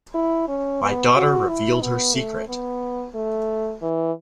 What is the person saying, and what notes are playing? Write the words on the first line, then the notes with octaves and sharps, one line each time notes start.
My daughter revealed her secret.
E4
C#4
B3
F#4
E4
B3
A3
B3
A3
E3